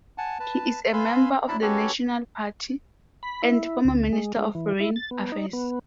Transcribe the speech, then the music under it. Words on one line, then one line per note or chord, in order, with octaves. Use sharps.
He is a member of the National Party, and former Minister of Foreign Affairs.
F#5 G#5 A5
B4 A5
B4 F5 G#5 B5 C6 E6
F#3 D4 E4 A5 B5
C#4 F#4 G4 A4 B4 C#5
B5
E4
D2
G#3
G#3
E3
E4
A6
B3
D#4
B3